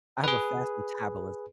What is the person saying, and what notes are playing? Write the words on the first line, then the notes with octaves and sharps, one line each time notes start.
I have a fast metabolism
G#4 B4